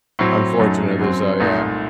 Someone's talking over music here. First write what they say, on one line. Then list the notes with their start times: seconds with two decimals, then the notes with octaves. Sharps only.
Unfortunately, so, yeah.
0.19 A2 F#3 C4
0.59 F#2 F#3 A3 D#4
0.99 F#2 F#3 C4
1.40 C2 A#2 A3 D#4